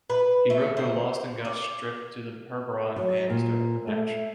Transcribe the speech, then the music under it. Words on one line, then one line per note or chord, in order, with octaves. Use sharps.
Hiroko lost and got stripped to her bra and panties during the match.
B4
A3
C5
D5
F#3
A#2
A3